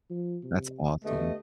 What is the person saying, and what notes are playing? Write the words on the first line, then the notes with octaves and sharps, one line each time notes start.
That's awesome.
F3
C3
D2 A3 B3 G4 D#5